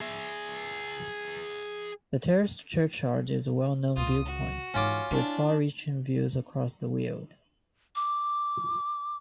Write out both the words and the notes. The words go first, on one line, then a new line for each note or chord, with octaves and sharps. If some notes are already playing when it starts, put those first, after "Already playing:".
The terraced churchyard is a well-known viewpoint, with far-reaching views across the Weald.
G#4 E5
C#2 F4 D#6
F#4
G#2 E3 C#4 F4 D6
D4 E4
D6